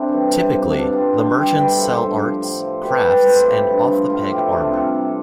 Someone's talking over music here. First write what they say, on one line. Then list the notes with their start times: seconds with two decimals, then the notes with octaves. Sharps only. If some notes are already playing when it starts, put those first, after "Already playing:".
Typically, the merchants sell arts, crafts and off the peg armour.
Already playing: C4 D4 E4 A4
0.08 E3 G3
0.29 C3
0.51 F3
0.71 B2 D4
0.92 G3 D4 F4
1.13 B2 D4 F4
1.35 G3 E4 G4
1.55 A2 G4 B4
1.77 F3 A4 C5
1.98 G2
2.19 F3
2.41 A2
2.62 F3
2.82 B2 G4 B4
3.04 G3 G4 B4
3.25 A2 A4 C5
3.46 F3 G4 B4
3.68 G2
3.88 F3
4.10 A2 F4 A4
4.30 F3 E4 G4
4.52 C3 D4 F4
4.73 G3 F4 A4
4.95 C3